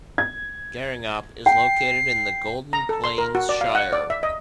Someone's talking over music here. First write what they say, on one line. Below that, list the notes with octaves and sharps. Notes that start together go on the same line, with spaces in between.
Gheringhap is located in the Golden Plains Shire.
G#6
G5 C7
A#5
A4
C6
A#4
F#4
D5
F5
F#5
D5
E5
D#5